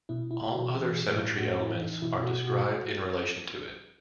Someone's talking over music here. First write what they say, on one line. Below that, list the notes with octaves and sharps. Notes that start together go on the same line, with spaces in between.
All other symmetry elements are described in relation to it.
B2 E4
E4
B2
F#4
E3 G#4
G#4
A2
E4
A2 F#4
F#4
E4
E3
D#4
B2 E4
F#4
B2
F#4